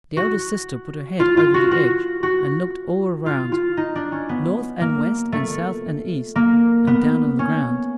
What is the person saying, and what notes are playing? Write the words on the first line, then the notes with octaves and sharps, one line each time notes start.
The eldest sister put her head over the edge, and looked all around, north and west and south and east and down on the ground.
F#4
F4
F4
F#4
F#4
F#4
F4
F4
D#4
D4
C#4
B3
A#3
A3
A#3
B3
C#4